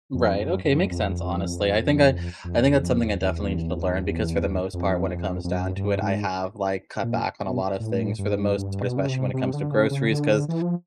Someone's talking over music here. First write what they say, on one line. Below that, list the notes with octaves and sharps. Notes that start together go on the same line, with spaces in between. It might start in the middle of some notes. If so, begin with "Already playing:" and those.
Right, okay, makes sense, honestly. I think I I think that's something I definitely needed to learn because for the most part when it comes down to it, I have, like, cut back on a lot of things for the most part, especially when it comes to groceries 'cause
F2
F#2
F#2
F2
F2
E2
F2
E2
E2
F2
F2
F#2
G2
G#2
A#2
B2
A2
G2
G2
B2
C#3
C3
C3
D3
C#3
C#3
D3
E3
F3